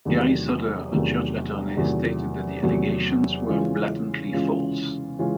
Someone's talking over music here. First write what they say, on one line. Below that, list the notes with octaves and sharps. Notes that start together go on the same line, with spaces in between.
Gary Soter, a church attorney, stated that the allegations were blatantly false.
E2 C3 D#3 F#3 A3
E2 C3 D#3 F#3 A3
E2 C3 D#3 F#3 A3
E2 C3 D#3 F#3 A3
C#3 E3 G#3 C#4 F4
C#3 E3 G#3 C#4 F4
C#3 E3 G#3 C#4 F4